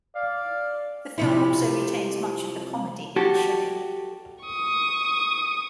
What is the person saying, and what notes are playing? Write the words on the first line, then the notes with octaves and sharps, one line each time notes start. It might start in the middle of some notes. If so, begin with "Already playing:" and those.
The film also retains much of the comedy in the show.
D5 F5
C3 F3 E4
F#4 G4 A4
C#6 D#6